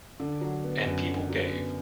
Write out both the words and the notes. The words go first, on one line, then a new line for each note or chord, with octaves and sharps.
And people gave.
D3
F#3
B3
F#2
D3
F#3
B3